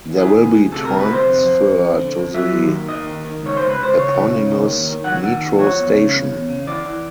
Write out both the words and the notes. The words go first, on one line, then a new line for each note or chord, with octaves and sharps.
There will be transfer to the eponymous metro station.
E3 G#4
D2
D2
C3 A4
D2 A#4
B4
C3 C5
F2
F2
F2
F2
D3
F2
F#3 E5
D#2
D#3
D#2 D#5
D#3
D#3
C#2 C#5
C#2 C5
B4
C#2 C5
C#3 C#5
E3
C#3
D#3
D#2
D#3
F#3 F#5
D#3
D#2
F3 C#5
E2
C#3
E2
E2
C#3
E3 D5
E3